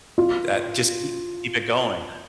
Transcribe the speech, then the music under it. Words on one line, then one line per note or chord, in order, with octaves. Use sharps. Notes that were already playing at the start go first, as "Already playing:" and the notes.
That just keep keep it going.
F4